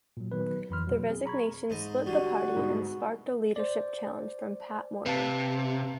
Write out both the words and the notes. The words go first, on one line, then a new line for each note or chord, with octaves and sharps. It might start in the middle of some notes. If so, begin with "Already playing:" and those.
The resignation split the party and sparked a leadership challenge from Pat Morton.
A#2 F#3
D#3 F#3 B3 B4
F2 E3 B5 C6 F6
B2 F#3
C4 G#4
A#5 B5 C#6 G#6
G#2 D#5
D3 G3 F#4
G#2 B2
C5 D5
C3 B4 F5 A5